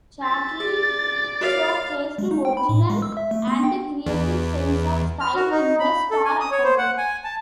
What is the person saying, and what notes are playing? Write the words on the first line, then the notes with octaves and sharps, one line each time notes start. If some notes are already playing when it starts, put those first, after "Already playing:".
Chatelain showcased original and creative sense of style in the Star Academy.
E5 A6
G#4 D5 E6
F#4 A#4 C#5 F5
G#3
D#4
G5
B5
A2
G#3
E6
E5
A3
B3
G5
E2
F6
F#4
D#4
B5
A4
G#5
D#6
C#5
C5
F#5
G#5
A5